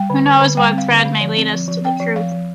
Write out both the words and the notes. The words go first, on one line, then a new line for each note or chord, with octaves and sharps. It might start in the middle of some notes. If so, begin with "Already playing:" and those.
Who knows what thread may lead us to the truth?
Already playing: G3 G5
D3
D3
D3
G3 G5
C4
F5
D3
F5
D3
F3
C4
F3
F3
C4 G5
F3
F3 F5
F3